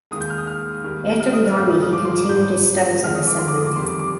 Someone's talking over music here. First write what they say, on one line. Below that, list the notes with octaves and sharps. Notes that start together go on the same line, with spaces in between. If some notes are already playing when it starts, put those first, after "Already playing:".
After the army he continued his studies at the seminary.
D#2 D#3 G#3 D#6
G6
F6
D#6
F6
D#2 D#3 G3
F6
D#6
F6
G2 F3 G#3 F6
D#6
D#6
D6
C6
D6
G#2 G3 G6
F2 D#3 G#3 F6
D#6
D6
C6
D6
D#6
D6
F2 D#3 G3 C6
D6
D6